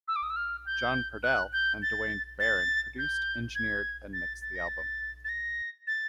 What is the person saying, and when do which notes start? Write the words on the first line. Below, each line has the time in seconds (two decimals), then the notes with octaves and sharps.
John Purdell and Duane Baron produced, engineered and mixed the album.
0.08 E6
0.16 D6
0.23 D#6
0.30 E6
0.36 F6
0.66 G6
1.23 F#6
1.53 G6
1.82 A6
2.40 A6
2.98 G6
3.55 G#6
4.13 A6
4.42 A6
4.56 A#6
4.68 A6
5.25 A6
5.29 A#6
5.87 A6